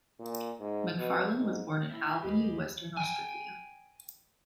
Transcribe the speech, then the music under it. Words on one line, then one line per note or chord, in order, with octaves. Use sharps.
McFarlane was born in Albany, Western Australia.
A#2
G#2
B2
G#2
E4 C#5 E5
D#2 A#3 B3 G4 G#4 D#5 B5
G5 G#5